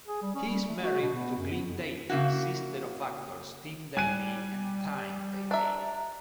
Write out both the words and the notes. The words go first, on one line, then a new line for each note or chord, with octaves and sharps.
He is married to Glynn Daly, sister of actors Tim Daly and Tyne Daly.
G#4
G3
C#4
G3
A3
F#4
B2
B3
F#2
B3
F2
C#3 A#3 E4 F#4
G3 G#5 F#6 D#7
D4 E5 A#5